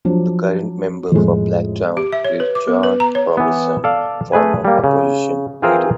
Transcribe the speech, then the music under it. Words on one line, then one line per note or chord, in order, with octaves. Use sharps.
The current member for Blacktown is John Robertson, former Opposition Leader.
F3 F#3 D4
F2 A2 G#3
G4
E5
C#5
B4
D6
B3
B4
A#5
C#5
E3 B3
A4 D5 F5
A3 G#4 B4 G#5
G3 A#3
C#3
E3 C4 F4 G#4 A#4 C5